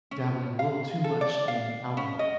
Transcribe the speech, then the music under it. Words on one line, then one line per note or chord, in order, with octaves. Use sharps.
dabbling a little too much in alcohol.
C#4
F5
A4
D5
F5
C#4
D#5